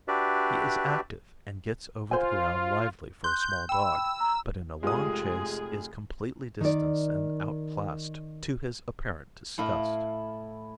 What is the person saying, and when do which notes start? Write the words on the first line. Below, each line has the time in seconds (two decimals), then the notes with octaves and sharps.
He is active and gets over the ground lively for a small dog, but in a long chase is completely distanced and outclassed to his apparent disgust.
0.08 D4 F#4 G4 B4 D5 E5
2.11 F4 C5 G#5
3.24 C6 F#6 G6
3.69 G5 B5 E6
4.20 A#5 F6
4.83 F1 G#3 F4 G4 G#4 D#6
6.61 D#3 D5
9.58 A2 E4 F5